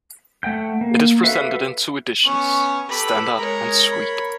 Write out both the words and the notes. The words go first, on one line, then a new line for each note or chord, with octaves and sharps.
It is presented in two editions: standard and suite.
A3 F#5 G5 G6
A#3
F#4 A4 B4 E5 F5
B3 C#4 C#6
G4 A4 B4 B5
G#3 A#4 C#5 A#5
B5